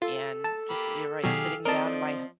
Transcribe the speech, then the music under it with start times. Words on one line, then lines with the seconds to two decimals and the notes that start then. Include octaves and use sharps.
And just you're right sitting down my
0.02 F4 A4
0.44 A5
0.70 A#3 G4 B5
1.24 B2 D#3 F#3 G4 G#4 F5
1.65 F3 C4 A#4 D5 D#5 A5